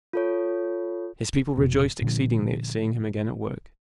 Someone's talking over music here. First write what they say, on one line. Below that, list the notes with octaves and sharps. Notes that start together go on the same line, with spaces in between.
His people rejoiced exceedingly at seeing him again at work.
F4 A4 C#5
F1 B2
A#2 D3 F3